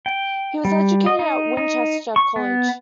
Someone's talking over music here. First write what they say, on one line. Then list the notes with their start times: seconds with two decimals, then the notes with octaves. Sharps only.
He was educated at Winchester College.
0.06 G5
0.65 G3
1.06 D#5
1.19 D#4
1.57 D#4
2.16 C#6
2.36 B3